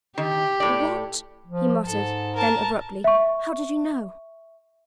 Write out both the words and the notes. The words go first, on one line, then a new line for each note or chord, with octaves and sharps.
"What?" he muttered; then, abruptly: "How did you know?"
D#3 G4
A2 D5
F3
G#2 A4
A#4 A5
E5 C#6